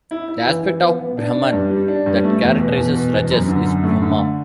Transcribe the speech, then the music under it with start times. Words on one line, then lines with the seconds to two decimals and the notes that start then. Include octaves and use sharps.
The aspect of Brahman that characterizes "Rajas" is Brahma.
0.11 E4
0.28 E4
0.46 E3
0.63 E3
0.81 B3
0.99 B3
1.17 D4
1.35 D4
1.53 G2
1.70 G3
1.88 D4
2.06 G2
2.24 A3
2.41 E2
2.60 B2
2.77 E2
2.96 B2
3.13 E2
3.31 F#2
3.48 D3
3.66 F#2
3.83 A3
4.02 D3